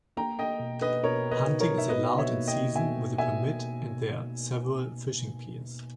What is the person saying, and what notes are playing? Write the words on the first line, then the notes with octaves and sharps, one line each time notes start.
Hunting is allowed in season with a permit and there are several fishing piers.
A#3 G5 A#5
D#5 G5
B2
B4 D#5
B2 A#4 C#5
B4 D#5
D#4
A#4 C#5
E5
B2 B4 D#5
C#5 E5
A#3
D#5 G5
B2 E5 G#5
B2 E5 G#5